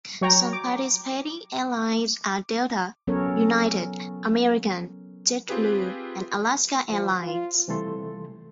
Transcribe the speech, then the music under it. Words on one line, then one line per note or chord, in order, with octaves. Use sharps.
Some participating airlines are Delta, United, American, Jet Blue, and Alaska Airlines.
F#3 C#5 G5 A#5
D6
F#3 B3 C#4 A4 A#4 C#5
C4 F4 G4 G#4 B4
F3
F4
C3 E3 G3 A3 A4 C6